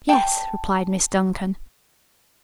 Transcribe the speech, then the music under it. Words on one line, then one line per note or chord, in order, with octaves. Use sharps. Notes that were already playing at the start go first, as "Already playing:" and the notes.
"Yes," replied Miss Duncan.
G5 A5